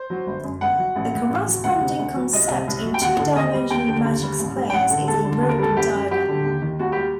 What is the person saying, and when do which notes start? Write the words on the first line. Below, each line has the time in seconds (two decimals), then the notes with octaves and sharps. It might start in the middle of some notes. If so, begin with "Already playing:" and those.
The corresponding concept in two-dimensional magic squares is a broken diagonal.
Already playing: C5
0.10 F#3
0.27 G1
0.44 F#2
0.61 G1 F#5
0.78 F#3
0.96 A1
1.13 A2
1.30 A1
1.47 F#3
1.64 D2 F#5
1.81 C3
1.99 D2
2.16 F#3
2.33 C2 D#5
2.50 C3
2.67 C2
2.85 F#3
2.94 G5
3.01 D#2 F#5
3.19 D3
3.36 D#2 D#5
3.53 G3
3.70 D#2 G5
3.87 D3
4.05 D#2
4.22 G3
4.39 A1
4.56 G2
4.70 G5
4.73 A1 F#5
4.90 D3
5.08 D#2 A4
5.25 D3
5.42 D#2
5.49 A#4
5.59 G3 A4
5.76 F#1 G4
5.94 F#2
6.11 F#3 G4
6.28 D3
6.45 D#2
6.62 D#3
6.79 D#2 F#4
6.92 G3 G4